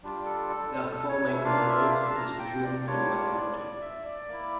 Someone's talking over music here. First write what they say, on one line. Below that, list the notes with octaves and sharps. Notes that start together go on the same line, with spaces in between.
There are four main components of this measurement that are worth noting.
G3 D4 F4
A4
A4
A4
A4
C#5
E5
A#3 D4 F4 F5
E5
F5
A5
A#5
G5
D5
G3 A#3 D4 F4 C#5
D5
D5
E5
D5
A#3 E4